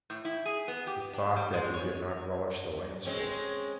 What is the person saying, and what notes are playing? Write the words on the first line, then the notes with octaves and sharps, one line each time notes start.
He thought that he did not relish the landscape.
A2
E4
G#4
B3
G4
D4
G3
G#3
C#5
G#3 C4 C#4